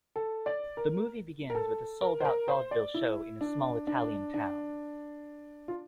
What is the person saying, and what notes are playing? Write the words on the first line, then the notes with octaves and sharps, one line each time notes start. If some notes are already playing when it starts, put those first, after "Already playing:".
The movie begins with a sold-out vaudeville show in a small Italian town.
A4
D5
A#4
A#4
A4
A#4
C5
A#4
C5
D5
E4
D4
D4
D4
F4